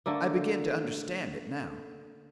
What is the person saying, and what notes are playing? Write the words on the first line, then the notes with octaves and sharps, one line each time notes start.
"I begin to understand it now."
D3 A3 A#3